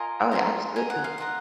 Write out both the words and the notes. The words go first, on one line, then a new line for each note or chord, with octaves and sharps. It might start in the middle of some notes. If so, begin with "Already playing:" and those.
Oh, yeah, absolutely.
Already playing: F4 A#4 D#5 G#5
F4 A#4 D#5
F4 A#4 D#5 G#5
F#5
F5
F4 A#4 D#5 F#5